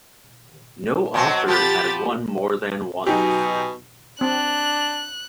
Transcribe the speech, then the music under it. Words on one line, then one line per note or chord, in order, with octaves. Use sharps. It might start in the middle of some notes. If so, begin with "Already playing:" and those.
No author has won more than once.
B2 F#3 C4
F3 G4 B5 A6
B2 F#3 D#4 G4 G#5
C4 D4 F#6